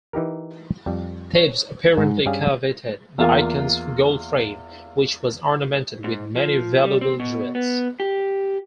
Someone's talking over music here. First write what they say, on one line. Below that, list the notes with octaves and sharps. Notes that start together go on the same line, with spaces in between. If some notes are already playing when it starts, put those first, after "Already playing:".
Thieves apparently coveted the icon's gold frame, which was ornamented with many valuable jewels.
E3 D#4 G4 A#4
F2 G3
C#5
G#2 G#5
G2 G3 C#4 G#4 F5
E2 A#3 F4
G#2
F3
G3
C4
B2
B3
G4